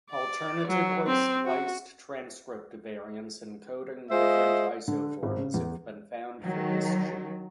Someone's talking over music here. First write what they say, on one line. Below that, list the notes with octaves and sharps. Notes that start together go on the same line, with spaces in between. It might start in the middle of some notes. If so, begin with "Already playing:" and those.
Alternatively spliced transcript variants encoding different isoforms have been found for this gene.
D5
F#3
C4
F#4
G#3 F4 C5 D#5 E5
D3
G#1
C#3
E2
D#3 F#3